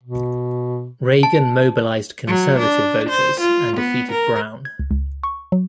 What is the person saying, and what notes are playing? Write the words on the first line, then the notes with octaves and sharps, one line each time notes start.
Reagan mobilized conservative voters and defeated Brown.
B2
A5
F#3
D4
C5
F4
B3
A#4
G#6
C#2
C#2
C#6
F#3